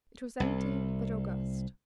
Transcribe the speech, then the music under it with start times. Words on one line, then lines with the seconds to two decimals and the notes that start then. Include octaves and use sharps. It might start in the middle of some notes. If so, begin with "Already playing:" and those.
It was empty but august.
0.40 C2